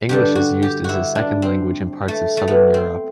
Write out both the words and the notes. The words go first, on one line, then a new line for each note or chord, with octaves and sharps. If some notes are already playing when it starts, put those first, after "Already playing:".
English is used as a second language in parts of Southern Europe.
G2 D3 G3 G4
F#4
G4
E4 F#4
D4
C4
A3
A3
B3
C4